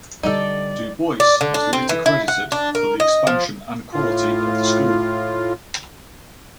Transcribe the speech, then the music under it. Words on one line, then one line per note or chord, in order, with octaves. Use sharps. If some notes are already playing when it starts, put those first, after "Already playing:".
Du Bois was later credited for the expansion and quality of the school.
D3 G3 D#4 G4 A4 D5
D5
D3
D4
C4
E3
E4
F#5
D4
A#4
D#5
F3
A2 F4